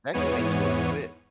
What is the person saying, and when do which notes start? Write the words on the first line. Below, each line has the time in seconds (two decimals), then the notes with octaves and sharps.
that can make you wanna quit.
0.13 E2 G#2 E3 B3 C#5 D#7